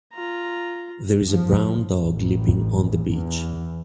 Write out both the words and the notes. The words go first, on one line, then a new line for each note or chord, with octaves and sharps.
There is a brown dog leaping on the beach.
F4 A#5
F3
A1
E2